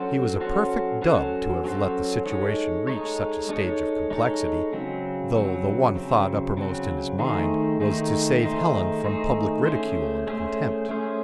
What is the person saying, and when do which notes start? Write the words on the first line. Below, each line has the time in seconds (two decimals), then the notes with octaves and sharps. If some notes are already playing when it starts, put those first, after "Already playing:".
He was a perfect dub to have let the situation reach such a stage of complexity, though the one thought uppermost in his mind was to save Helen from public ridicule and contempt.
Already playing: F#3 C#4 F#4 A4 C5
0.40 F#3 C#4 F#4 A4 C5
1.02 F#3 C#4 F#4 A4 C5
1.64 F#3 C#4 F#4 A4 C5
2.26 G#3 D#4 A4 C#5
2.87 G#3 D#4 A4 C#5
3.49 G#3 D#4 A4 C#5
4.10 G#3 D#4 A4 C#5
4.73 C#3 F#3 C4
5.34 C#3 F#3 C4
5.95 C#3 F#3 C4
6.57 C#3 F#3 C4
7.19 D#3 A3 D#4 G#4 C5
7.80 D#3 A3 D#4 G#4 C5
8.42 D#3 A3 D#4 G#4 C5
9.04 D#3 A3 D#4 G#4 C5
9.66 A3 C#4 G#4 C5
10.27 A3 C#4 G#4 C5
10.89 A3 C#4 G#4 C5